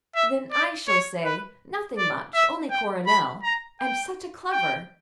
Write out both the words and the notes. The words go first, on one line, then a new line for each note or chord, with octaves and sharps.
"Then I shall say, 'Nothing much; only Coronel.' And such a clever!"
E5
D5
C#5
B4
D5
E5
G5
B5
A#5
G5
G5